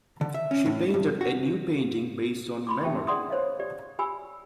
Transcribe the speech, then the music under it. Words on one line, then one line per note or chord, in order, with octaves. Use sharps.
She painted a new painting based on memory.
D3
E5
C#4
A2
G2
F#4
B5 C6 D6
C#4 G4 E5 G5 A5 C#6
D#4 G#4 D5 F#5 C6 D#6
C5 C#5 D#5 F5
G4 D5
G4 G#5 B5 E6